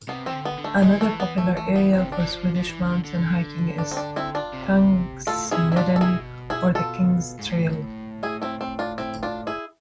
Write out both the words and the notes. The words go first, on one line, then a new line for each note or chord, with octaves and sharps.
Another popular area for Swedish mountain hiking is Kungsleden, or "The King's Trail".
C3 B3
E3 C4
D3
B3
D3
A3
D3
E3 G#3
A3
B3
A3
A3
B3
C4
C3
D3 D4
E3
F3
F3
E3
D3
D3
D4
C4
D4
C4 E4
D4 F4
C3
A2 F4 A4
C3 E4 G#4
E4
B2 D4 F4
A4
B2 E4 G#4
E4 G#4
F4 A4
G#2
A2
E4 G#4
C4 E4
C4
D4 F4
C4 E4
D4 F4
E4 G#4